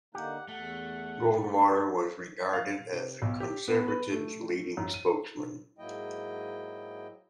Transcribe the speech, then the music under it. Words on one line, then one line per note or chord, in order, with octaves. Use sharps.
Goldwater was regarded as the conservatives' leading spokesman.
D3 A#3 D#4 G4 F#5
E2 A3 F#5
F5
C3
B1
G4
B3
B4
A3
F#2
D#7
G#2 F#3 A#3 E4 D#5 G5